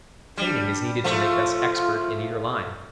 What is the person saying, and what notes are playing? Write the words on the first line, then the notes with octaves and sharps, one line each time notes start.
Training is needed to make us expert in either line.
G3 D4
F3 A3 F4